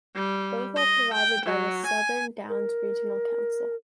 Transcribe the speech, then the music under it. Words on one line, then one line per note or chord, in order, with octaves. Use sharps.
Both are provided by the Southern Downs Regional Council.
G3
D#5
G5
F#3
G#5
A#4